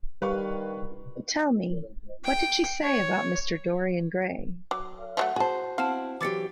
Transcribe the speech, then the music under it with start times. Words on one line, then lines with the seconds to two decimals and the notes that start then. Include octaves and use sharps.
But tell me, what did she say about Mr. Dorian Gray?
0.22 D#3 G3 B4 F5 C#6
2.24 G5
2.82 C#5
4.71 F#3 D6
5.17 F3 F#3 A3 E5 F#5
5.36 F#4 G#4 C5 A5
5.78 C4 E4 F5 F#5 A5 F6
6.21 E3 F#3 G4 D6 A6 C#7